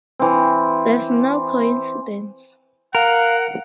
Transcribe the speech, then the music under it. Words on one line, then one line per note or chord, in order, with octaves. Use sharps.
That's no coincidence.
E3 C4
A#4 F5 F#5